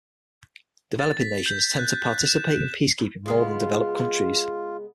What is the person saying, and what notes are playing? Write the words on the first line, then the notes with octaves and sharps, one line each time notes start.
Developing nations tend to participate in peacekeeping more than developed countries.
A6
B6
G6
F#6
E7
C#3 G#3 B3 F4